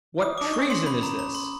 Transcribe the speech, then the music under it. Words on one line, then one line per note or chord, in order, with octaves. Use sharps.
"What treason is this?"
E4 D#6
D4 D6
D#4
C#4 C#6
C6
B5
A#5
A#5
C6